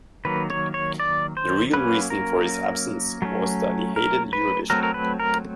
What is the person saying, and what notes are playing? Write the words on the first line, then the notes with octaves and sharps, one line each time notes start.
The real reason for his absence was that he hated Eurovision.
D#3 F#3 A#3 B4
C#5
C#5
D5
C5
F#3 A#3 C#4 B4
A#4
F#3 A3 C#4
A#4
B4
F#3 A3 C4 A#4
A#4
B4
A#4